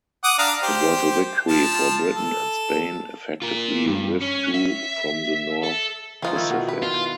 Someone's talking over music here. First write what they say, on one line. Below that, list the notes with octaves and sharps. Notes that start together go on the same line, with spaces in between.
It was a victory for Britain and Spain effectively withdrew from the North Pacific.
F#5 D6 D#6
D4 F5 A#5
G4 C5
F3 A5
A4
F4 A#4
G2
C#4
E5
A4
F3 C#4 D#4 F4
D#3 F3 E4
B2
B4
F4